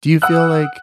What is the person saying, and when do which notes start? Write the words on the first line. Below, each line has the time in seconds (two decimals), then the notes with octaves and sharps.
Do you feel like
0.22 F#5 D#6 E6 F#6